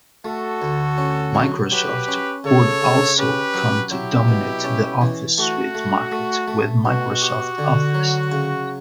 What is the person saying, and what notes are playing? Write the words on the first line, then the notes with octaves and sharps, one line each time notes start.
Microsoft would also come to dominate the office suite market with Microsoft Office.
A3 F#4 A4
D2
C#4
F#3
F#3 G4 B4
C#4
C#3 A4 C#5
C#3
C#4 G4 B4
F#3
F#3 E4 G4
B2
C#4
E3
A3 F#4
A3
A3
A3
B2 F#4
G4
D3
F#3
C#3